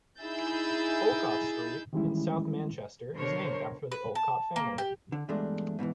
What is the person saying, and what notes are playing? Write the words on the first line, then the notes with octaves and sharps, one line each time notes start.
Olcott Street in South Manchester is named after the Olcott family.
D#4 E4 G#4 E6 G6 A6
D#3 E3 G3 G#3 C#4 E4
B2 D3 A#4 C5 C#5
B4
A5
A#3
G4
D3
E2 G2 G#3 A3 D4
G#2 B2 D#3 E3